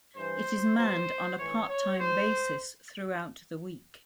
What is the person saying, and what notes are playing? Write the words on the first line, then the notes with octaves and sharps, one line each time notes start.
It is manned on a part-time basis throughout the week.
G2 E3 C5
B2 F#3 C5
A2 E3 C#5
C#5
G#2 C5